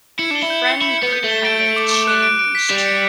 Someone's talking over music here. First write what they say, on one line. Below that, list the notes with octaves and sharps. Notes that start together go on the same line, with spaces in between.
friend group kind of changed
E4 C#7
D4 G7
E4
G6
C#7
E4 C#7
B3 C#7
G6
A3 G7
D7
D7
D6
D6
F#6
D7
D7
B6
G3 E7
C#7